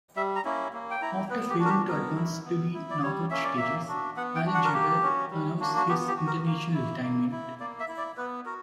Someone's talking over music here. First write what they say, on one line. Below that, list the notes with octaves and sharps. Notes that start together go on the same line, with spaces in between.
After failing to advance to the knockout stages, Al-Jaber announced his international retirement.
G3 E5
A#5
A#3 C#4 E4
A#3
G5
E4 A#5
B3 B4
G4
D4 F#4
A#4
G4
B3 A#4
E4
B3
E4
D5
G3 C#5
A#3 C#4 E5
D5
A#3 E5
D4 F#4
B3 F#5
G5
D4 F#4
F#5
A#4
A#3 G4
C#4 F#4
G3
A#3 D4 F#4
F#4
B3 G4
G4
F#4
A#4
A#3
E4
A#3
E4
A#3 D5
E5
E4
D5
B3 B4
F#4 A#4